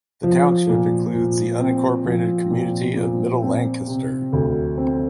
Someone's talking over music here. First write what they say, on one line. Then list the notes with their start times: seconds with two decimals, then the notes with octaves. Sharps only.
The township includes the unincorporated community of Middle Lancaster.
0.23 F3
0.69 A#2
1.14 A#2
1.60 C4
2.05 F3
2.51 A#2
2.96 A#2
3.41 C4
3.87 C3
4.33 D2
4.78 C4